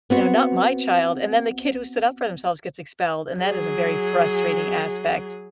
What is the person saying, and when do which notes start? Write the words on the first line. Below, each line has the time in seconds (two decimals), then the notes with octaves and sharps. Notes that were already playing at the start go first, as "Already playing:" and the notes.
you know, not my child, and then the kid who stood up for themselves gets expelled, and that is a very frustrating aspect.
0.10 B3 C4 F#4
3.40 F#3 G#4